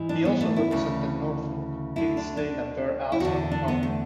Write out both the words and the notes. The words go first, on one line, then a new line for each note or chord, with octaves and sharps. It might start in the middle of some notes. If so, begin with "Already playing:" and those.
He also represented Norfolk, King's Lynn and Bere Alston in Parliament.
Already playing: G#2 E3
D4
B3
A3
E4
D2 C#3 E3
D2 D3 E4
D4
D4
E4
E2 D3 F#4
D4
B3
A3